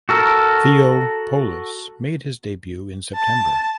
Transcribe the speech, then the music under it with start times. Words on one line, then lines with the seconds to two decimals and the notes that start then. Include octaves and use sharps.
Theo Poulos made his debut in September.
0.09 F#4 A4 A#4
3.16 A5